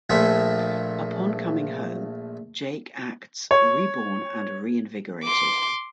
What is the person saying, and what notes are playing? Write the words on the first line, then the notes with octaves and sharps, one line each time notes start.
Upon coming home, Jake acts reborn and reinvigorated.
A#1 A#2 F3 A3 E5
C#5
C6 D6